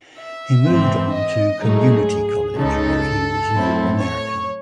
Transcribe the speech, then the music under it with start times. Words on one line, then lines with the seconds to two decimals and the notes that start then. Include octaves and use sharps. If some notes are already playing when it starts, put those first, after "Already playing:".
He moved on to community college, where he was an All-American.
0.20 E5
0.67 G#2 E3 C4
1.14 D#5
1.62 G#2 F#3 A3 D#4 G#4
2.57 C#2 C#3 G#3 D#4 A4
3.53 A2 F#3 C4 E4
4.01 C#5